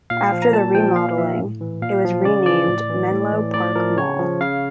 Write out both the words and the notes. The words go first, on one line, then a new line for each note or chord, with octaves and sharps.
After the remodeling, it was renamed Menlo Park Mall.
A#2 F5
F3
A#5
A#2 A5
F3 G5
A#2 F5
F3 E5
A2
E3
A#2 F5
F3
C#3 D5
E3 D5
A2
E3
A2
E3
A2 D5
F3 A#4
C#3 C#5
F3
C#3 F5